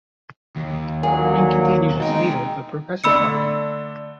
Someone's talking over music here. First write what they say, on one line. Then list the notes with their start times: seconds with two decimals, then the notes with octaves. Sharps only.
Green continued as leader of the Progressive Party.
0.56 D#2
1.03 D3 F3 F#3 A#3 G#4
2.00 B2 G#3 D#4 G5
3.04 D3 A3 D4 B5 E6 C#7